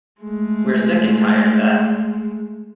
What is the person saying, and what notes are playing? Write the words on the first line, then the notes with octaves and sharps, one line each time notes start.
We're sick and tired of that.
G#3 A3